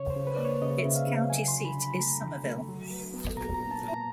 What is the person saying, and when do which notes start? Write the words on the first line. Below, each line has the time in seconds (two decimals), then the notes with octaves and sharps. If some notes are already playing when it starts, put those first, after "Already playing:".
Its county seat is Somerville.
Already playing: C#3 C#5
0.10 C5
0.16 C#3
0.27 B4
0.36 A#3 D5
0.45 C#5
0.62 C#3 D#5
0.79 E5
0.85 C#3
0.96 F5
1.07 C#3
1.30 F#3 G#5
1.48 C6
1.53 D3
1.65 B5
1.77 D3
1.82 B5
1.99 A3 A#5
2.22 D3
2.45 A3
2.68 F#3
2.90 F#3
3.14 B3
3.37 A#2 A#5
3.54 A#5
3.60 A#2
3.71 A5
3.82 A#2
3.88 A#5